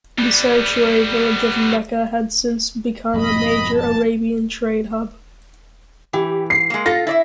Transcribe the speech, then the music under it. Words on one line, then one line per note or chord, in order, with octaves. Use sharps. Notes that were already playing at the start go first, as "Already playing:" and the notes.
The sanctuary village of Mecca had since become a major Arabian trade hub.
G3 B3
F2 G#2 B2 D#5 B5
A5
E3 G4
C7
G#3 A#3
F4 A4 A#6
E4 D5 E5